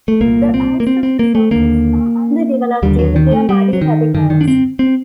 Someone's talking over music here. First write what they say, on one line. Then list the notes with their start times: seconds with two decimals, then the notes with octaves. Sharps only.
The eyes of the sawfish are underdeveloped due to their muddy habitats.
0.08 A3
0.21 C2 A#2 A#3
0.54 C4
0.80 A#3
0.87 C4
1.03 C4
1.19 A#3
1.35 A3
1.51 D#2 D3 A#3
2.83 D#2 D3 G3
2.99 F#3
3.16 D#3
3.32 A3
3.49 G3
3.73 F#3
3.82 D#3
4.14 F#2 D3 D#3
4.30 D#3
4.41 D4
4.48 C4
4.79 C4